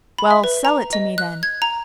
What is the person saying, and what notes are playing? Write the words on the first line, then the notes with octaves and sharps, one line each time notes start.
"Well, sell it to me, then."
B5
E5
B4
A#5
D#5
F#6
G#6
A#5